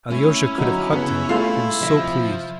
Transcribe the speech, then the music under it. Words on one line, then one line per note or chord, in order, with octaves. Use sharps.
Alyosha could have hugged him, he was so pleased.
A3 C#4 E4
D2 F#3 D#4
C#3 B3
A3 F4 A4 F5 C6
C3 F3 D#5 E5